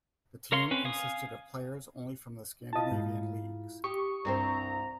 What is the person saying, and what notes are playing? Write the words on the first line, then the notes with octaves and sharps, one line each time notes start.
The team consisted of players only from the Scandinavian leagues.
A#4 C#5 F5 C6
C4 C#4 B4
F5 G#5 D#6
E4 F4 D#5 F5 A5
G#2
G4 C#6 D#6
C2 G2 C4 C5 A#5